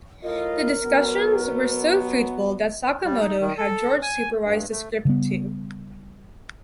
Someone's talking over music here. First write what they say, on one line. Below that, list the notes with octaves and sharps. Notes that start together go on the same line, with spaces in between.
The discussions were so fruitful that Sakamoto had George supervise the script too.
A2 F4 A#4 D#5
B2 F#3 B3
G3
D#4
D#3
A4
G#5
G2
A3
C#3 G3 B3